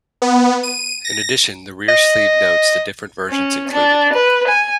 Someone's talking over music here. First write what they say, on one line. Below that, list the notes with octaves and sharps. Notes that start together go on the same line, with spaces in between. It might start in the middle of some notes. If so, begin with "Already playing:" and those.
In addition, the rear sleeve notes the different versions included.
B3
D#7
A#6
D#5
C#4
D4
B4
G#5